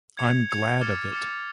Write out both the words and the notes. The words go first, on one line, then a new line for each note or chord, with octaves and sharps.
I'm glad of it.
G#6 C#7 F7
G#6 C#7 F7
D6 F6 A6 C#7
D6 F6 A6 C#7